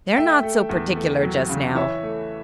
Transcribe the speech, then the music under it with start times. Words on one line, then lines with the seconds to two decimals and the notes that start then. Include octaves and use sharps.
They're not so particular just now.
0.17 A3 E5 G5
0.43 A3
0.69 E2
0.96 A3
1.23 F#3
1.49 C#3
1.75 E3 C#5 E5
2.03 A3